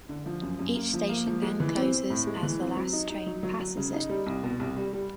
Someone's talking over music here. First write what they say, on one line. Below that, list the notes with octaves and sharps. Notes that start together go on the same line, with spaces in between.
Each station then closes as the last train passes it.
D3
F3
F#2
F#2
A#3
F3
A#3
F3
G#3
E3
C4
C4
A2
G#3
E3
C4
F#3
D#4
D#4
F#3
F#3
F#3
C#3
D#4
G3
C2
B2
C2
G3
G3